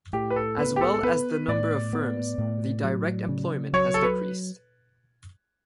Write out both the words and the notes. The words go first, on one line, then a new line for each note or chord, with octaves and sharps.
As well as the number of firms, the direct employment has decreased.
A2 G4
B4
A4
B3 B4
G4
A4
A4
B3 B4
A2 D5
B3
A2
F#3
C#3
F#3 C#5
A4
B4